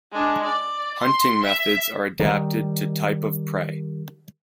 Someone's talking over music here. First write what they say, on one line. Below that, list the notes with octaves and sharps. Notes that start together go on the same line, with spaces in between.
Hunting methods are adapted to type of prey.
G#3 D4
D5
C6
E5
D#3 G3